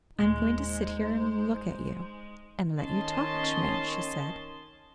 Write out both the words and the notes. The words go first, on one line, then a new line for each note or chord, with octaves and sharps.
"I am going to sit here and look at you, and let you talk to me," she said.
D#1 A#2 G#3 D#4 C5
D#3 C#4 D#5 A5 C6